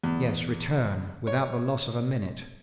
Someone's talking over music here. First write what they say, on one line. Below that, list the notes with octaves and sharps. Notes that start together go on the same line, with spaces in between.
"Yes, return, without the loss of a minute."
E2
C#5